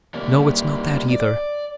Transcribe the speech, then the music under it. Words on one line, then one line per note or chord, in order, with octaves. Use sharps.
No, it's not that either.
G3 A#3
D5